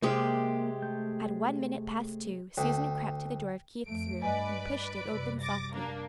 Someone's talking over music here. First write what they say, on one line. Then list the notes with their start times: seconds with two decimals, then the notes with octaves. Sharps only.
At one minute past two Susan crept to the door of Keith's room and pushed it open softly.
0.02 C3 G#3 A#3 G4 D#6 F6
0.82 A3 G6
2.58 D2 G5
3.87 F2 A3 D7
4.22 G2 B4 D5 D#5 G#5 D7
5.10 F#2 C3 G3
5.39 D6 A6 A#6
5.75 A#3 D4